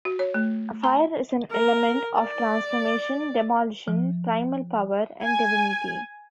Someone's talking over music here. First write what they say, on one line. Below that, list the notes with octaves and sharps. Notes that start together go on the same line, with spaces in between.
Fire is an element of transformation, demolition, primal power, and divinity.
F#4
C#5
A3
A#5
A#4
D5
F3
G#5